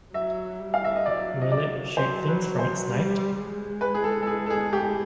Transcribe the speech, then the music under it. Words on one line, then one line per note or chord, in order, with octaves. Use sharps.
Will it shoot things from its snout?
F#3 E5
G3
F5
E5
D#5
F#3 D5
D#5
D5
F#3 C5
B4
C5
G3
G#3
B4
G#4
A4
A4
G#4
A4
G#4
G4